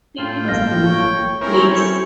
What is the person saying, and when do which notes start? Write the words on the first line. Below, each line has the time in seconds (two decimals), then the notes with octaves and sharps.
It was a market place.
0.18 A2 F4 G5
0.49 G1 A#3 F5 A#6
0.85 C#5
1.41 C4 C#4 E4 A#4 C#5
1.73 A4 C#6